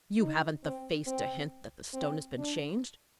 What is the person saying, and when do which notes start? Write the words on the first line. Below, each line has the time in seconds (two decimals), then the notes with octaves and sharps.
"You haven't the face to hint that the stone has been changed?"
0.19 D#4
0.64 C4
1.06 C4
1.93 C4
2.37 D4